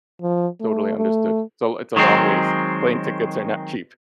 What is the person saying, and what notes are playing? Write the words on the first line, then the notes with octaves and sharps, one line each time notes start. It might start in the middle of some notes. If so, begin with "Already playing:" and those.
totally understood. So, it's a long ways. Plane tickets are not cheap.
F3
A3
A3
D#3 F#3 G#3 C4